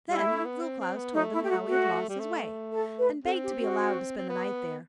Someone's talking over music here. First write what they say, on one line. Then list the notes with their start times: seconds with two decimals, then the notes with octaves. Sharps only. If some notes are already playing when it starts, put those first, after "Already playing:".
Then Little Klaus told him how he had lost his way, and begged to be allowed to spend the night there.
0.09 G3 E4
0.27 A3
0.45 B3
0.62 C4
0.80 C4
0.96 B3
1.14 A3 D#4
1.33 E4
1.44 G4
1.49 F#4
1.67 F#4
2.09 G3
2.19 A3
2.73 A4
2.98 B4
3.24 C4 A4
3.43 G4
3.60 F#4
4.18 C4
4.29 B3